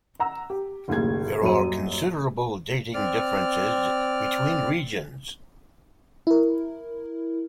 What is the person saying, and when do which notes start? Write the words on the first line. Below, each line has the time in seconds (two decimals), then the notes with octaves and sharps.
There are considerable dating differences between regions.
0.20 F#5 A#5 E6
0.50 G4
0.88 F#1 D#2 A2 G#6
1.42 D#1 F#2 F#3 D#7
2.94 C4 D5 F6
6.27 E4 A#4